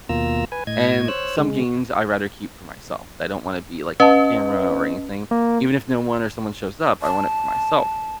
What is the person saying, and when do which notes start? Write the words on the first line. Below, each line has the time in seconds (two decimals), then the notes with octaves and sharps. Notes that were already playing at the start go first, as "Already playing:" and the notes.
and some games I rather keep for myself. I don't wanna be, like, on camera or anything. Even if no one or someone shows up, I want it for myself,
0.09 D#2 B2 A#3 F4 A#5 E6
0.52 B4 G#5
0.67 A2 D#5 G#6
1.08 C5 C#5 E6 F#6
1.38 C#3 G#3
4.00 C#4 B4 D#5 A5
5.31 A#3
7.02 A5